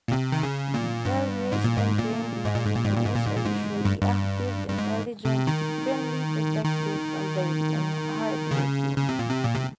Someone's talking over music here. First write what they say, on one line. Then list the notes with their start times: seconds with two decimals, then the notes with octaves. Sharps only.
Well-raised and trained Malinois are usually active, intelligent, friendly, protective, alert and hard-working.
0.08 A#2
0.12 C3
0.32 D#3
0.43 C#3
0.74 A#2
1.05 G2
1.52 G#2
1.64 A#2
1.78 G#2
1.98 A#2
2.45 G#2
2.55 A#2
2.65 G#2
2.75 A#2
2.85 G#2
2.96 A#2
3.05 G#2
3.15 A#2
3.25 G#2
3.36 A#2
3.45 G#2
3.85 G2
4.02 G2
4.68 G2
4.78 G#2
5.25 C3
5.47 D#3
6.65 D#3
8.51 C#3
8.98 C#3
9.09 C3
9.19 A#2
9.30 C3
9.44 A#2
9.55 C3